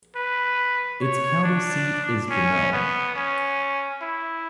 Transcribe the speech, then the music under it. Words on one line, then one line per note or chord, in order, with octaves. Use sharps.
Its county seat is Juneau.
B4
C#5
D4
C#4
B3
C#4
E4